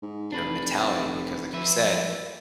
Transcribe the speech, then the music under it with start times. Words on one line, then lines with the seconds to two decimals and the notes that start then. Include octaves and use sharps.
you know, mentality because like you said,
0.02 G#2
0.32 F1 D4 B4
1.53 F3 B4 E5